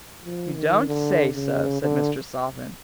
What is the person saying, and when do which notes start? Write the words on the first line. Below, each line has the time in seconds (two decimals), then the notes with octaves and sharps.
"You don't say so," said Mr. Salvin.
0.24 F3
0.56 D#3
0.87 D3
1.35 C#3
1.82 D3